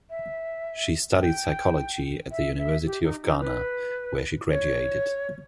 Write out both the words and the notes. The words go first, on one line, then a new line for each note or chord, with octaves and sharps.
She studied Psychology at the University of Ghana where she graduated.
E5
G5
E5
E5
G4
D#4
D#4
B4
C#5